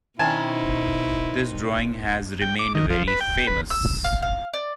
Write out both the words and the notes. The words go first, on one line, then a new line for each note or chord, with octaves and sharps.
This drawing has remained very famous.
B2 D#3 C4 C#4 D#4 E4 G#5 A5
G5
D6
D#3
F3
B4
G5
B4
E6
F5
F5
D5